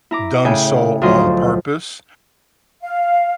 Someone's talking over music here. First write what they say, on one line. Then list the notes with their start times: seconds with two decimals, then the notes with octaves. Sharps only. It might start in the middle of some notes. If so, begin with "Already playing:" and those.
done so on purpose.
0.11 E4 A#5 D6
0.45 A2 C#3 E5 G5 G#5
1.02 D2 F3 F#3 F4 D#5 C6
2.82 F5